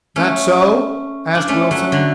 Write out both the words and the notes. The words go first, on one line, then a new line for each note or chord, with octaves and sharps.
"That so?" asked Wilson.
A3 C#4
D4
A3 C#4
F#3 A3
D3 F#3